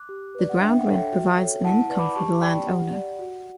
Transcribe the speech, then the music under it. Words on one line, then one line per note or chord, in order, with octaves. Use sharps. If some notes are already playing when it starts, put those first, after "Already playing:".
The ground rent provides an income for the landowner.
Already playing: D6 F#6
G4
B4 D5
F#5
D4 E5 G5
F#5
A4 C#5
E5 G5
F#4
A4 C#5
E4 F#5 A5
B4 D5
B5 D6
G4 A5 C#6
D5 G5 B5
G4 F#5
D5
F#4